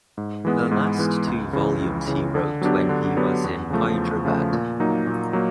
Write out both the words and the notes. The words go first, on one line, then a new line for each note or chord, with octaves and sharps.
The last two volumes he wrote when he was in Hyderabad.
G#2
E3 G#3 B3
G#2
E3 G#3 B3
C#2
C#3 E3
C#2
C#3 E3
D3
F#3 B3 D4 G4
D3
F#3 B3 D4 G4
E2
C#3 F3 A3
E2
C#3 F3 A3
A#2
F#3 A#3 D#4
A#2
F#3 A#3